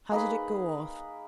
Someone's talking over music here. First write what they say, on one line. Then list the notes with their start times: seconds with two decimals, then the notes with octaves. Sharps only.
"How did it go off?"
0.12 A#3 D#4 G#4 B4